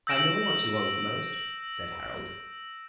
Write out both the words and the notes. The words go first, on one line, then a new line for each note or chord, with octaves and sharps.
"I know what she wants most," said Harold.
E6 G6 A#6 D7 E7 F#7